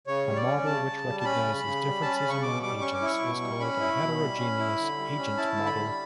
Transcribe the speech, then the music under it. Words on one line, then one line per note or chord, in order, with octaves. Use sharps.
A model which recognizes differences among agents is called a heterogeneous agent model.
C#3 C#5
G3
D5
C#4
C#3 A5
C#3
G3
A5
C#4 B5
C#3
C#3
G3
C#4 A5
B5
C#3
C#6
B2 D6
G3 D6
C#4 C#6
D6
E4 C#6
B2
G3
C#4 B5
E4
B2
G3
C#4
E4
D3
G3
C#4
E4 A5
D3
B5
G3